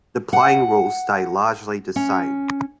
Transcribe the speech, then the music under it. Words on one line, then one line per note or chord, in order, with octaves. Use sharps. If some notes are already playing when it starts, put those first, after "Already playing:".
The playing rules stay largely the same.
F#5
C#4